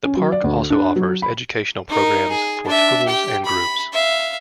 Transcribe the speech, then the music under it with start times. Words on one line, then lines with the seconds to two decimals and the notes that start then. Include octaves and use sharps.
The park also offers educational programs for schools and groups.
0.04 C#4
0.17 F#3
0.32 D5
0.44 D2
0.70 D4
0.96 F#3
1.22 B5
1.89 D#4 A#4
2.29 G#4
2.65 D4 E5
3.05 G4 G5
3.45 B5
3.92 E5 F5